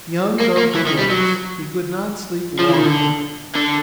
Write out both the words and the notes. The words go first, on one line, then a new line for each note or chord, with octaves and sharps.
Young though he was he could not sleep long at night.
A#3
A#3
E3
D#3
G3
F#3
F3
E3
D#3
D3
D3